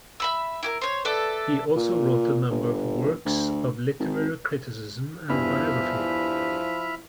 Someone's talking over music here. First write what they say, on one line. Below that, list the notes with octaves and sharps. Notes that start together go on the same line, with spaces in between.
He also wrote a number of works of literary criticism and biography.
E5 B5 E6
E4 G4 A#4
C5 C#5
A4 B4 D5 E5
A#2
G1
D2
G#1
E2 G2 F3 E4 E5 B5 F6